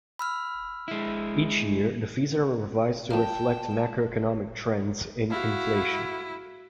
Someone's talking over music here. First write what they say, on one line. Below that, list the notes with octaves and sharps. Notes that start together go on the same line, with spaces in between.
Each year, the fees are revised to reflect macroeconomic trends in inflation.
B5 E6 F6
G#3 E4
F2 A#3 G5 A5
E4 F#4 F5